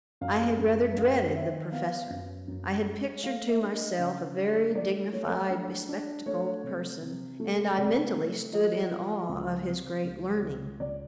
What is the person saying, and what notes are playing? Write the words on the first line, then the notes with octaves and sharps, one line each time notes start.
I had rather dreaded the professor. I had pictured to myself a very dignified, bespectacled person, and I mentally stood in awe of his great learning.
F#2 F5
F#2
F#2 F5
D#3 E5
B3 F5
F#2
F#2
G#3
A3 F5
E5
D4
D#5
C#3
D4
A3 D5
A3 C#5
D4
D4
A3 C#5
C3
C3
A3
C3 D5
A3
F3 D#5
F3
C#2
C3
C#2
C#2
C#2 D5